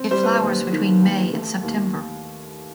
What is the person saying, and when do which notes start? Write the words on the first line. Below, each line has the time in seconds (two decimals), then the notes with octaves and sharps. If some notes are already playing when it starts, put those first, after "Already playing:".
It flowers between May and September.
Already playing: C4
0.11 G3 C5
0.24 B4
0.36 D#2 C5
0.71 D#3
1.02 D#2
1.33 A3
1.63 D#2